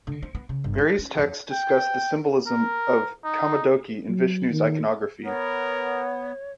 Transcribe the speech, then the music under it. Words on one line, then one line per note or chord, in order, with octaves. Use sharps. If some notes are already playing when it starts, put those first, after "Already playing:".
Various texts discuss the symbolism of Kaumodaki in Vishnu's iconography.
D3
C4
B3
C#3
G1
D#4
C#4
F2
G5
A#4
D#4
F#3
D#3
B3 A#4 C#5